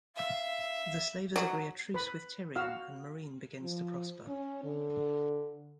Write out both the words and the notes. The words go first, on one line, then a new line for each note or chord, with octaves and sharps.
The slavers agree a truce with Tyrion and Meereen begins to prosper.
E5 F5
F#3
B4 B5
F#4 F5 E6
F3
C#4
D3